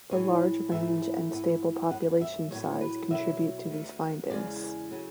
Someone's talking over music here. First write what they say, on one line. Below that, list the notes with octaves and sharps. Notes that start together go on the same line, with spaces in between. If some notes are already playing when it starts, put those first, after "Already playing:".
The large range and stable population size contribute to these findings.
A2 E3 G#3 C#5
G#2 E3 A3 E5
G#2 E3 B3
F#2 E3 B3 F#5
E5
A2 F#3 B3 C#5
B4
B2 F#3 B3 E5
D2 D3 A3
E2 C#3 G#3 D5
C#3 F#3 A3